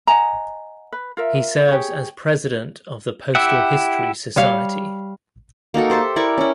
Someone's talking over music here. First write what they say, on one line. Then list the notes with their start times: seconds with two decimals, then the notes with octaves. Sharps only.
He serves as President of the Postal History Society.
0.07 D#5 F#5 G#5 A#5
0.92 B4
1.17 F4 A#4 E5
1.69 G4 G#4 C#5
3.35 E4 G4 E5 F#5
4.36 G3 C#5 F5
5.74 A#3 D#4 F#4 A4
5.90 G4 C5 E5 A5
6.16 E4 A#4 D5 C#6
6.38 C#4 E4